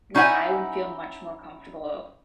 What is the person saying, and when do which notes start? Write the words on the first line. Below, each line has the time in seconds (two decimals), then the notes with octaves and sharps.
like, I would feel much more comfortable
0.15 C#4 D#4 E4 E5 F#5 G#5